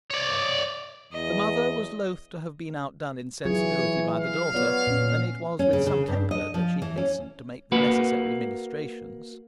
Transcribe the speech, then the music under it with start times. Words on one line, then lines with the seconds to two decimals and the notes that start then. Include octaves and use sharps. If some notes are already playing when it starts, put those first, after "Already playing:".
The mother was loth to have been outdone in sensibility by the daughter, and it was with some temper that she hastened to make the necessary ministrations.
0.10 C#5 D5
1.12 E2 D#5
3.45 E3 F#3 F4 G#4 C#5
4.19 F5
4.54 B3 F4 C#5 D5
4.87 A#2 C#4
5.59 C#4
5.73 C#3
5.86 C#3
6.08 G2
6.31 D#5
6.54 F3
6.82 E3
6.97 C#4
7.72 A#3 F#4 B4